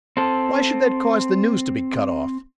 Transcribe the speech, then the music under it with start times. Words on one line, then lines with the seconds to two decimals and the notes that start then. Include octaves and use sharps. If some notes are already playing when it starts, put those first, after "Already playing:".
Why should that cause the news to be cut off?
0.17 C4 A4